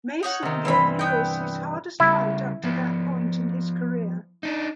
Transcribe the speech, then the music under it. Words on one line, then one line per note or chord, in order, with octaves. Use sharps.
Mason gave Lewis his hardest fight up to that point in his career.
D#4 C#5 F#5
C3 D#3
G2 C3 E3 B5 E6
B3 G5
C#3 G3 E4
F3 B3
D4 D#4